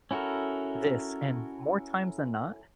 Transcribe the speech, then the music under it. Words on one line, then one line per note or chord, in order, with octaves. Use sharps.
this," and more times than not,
C#4 E4 F#4 A4 A#4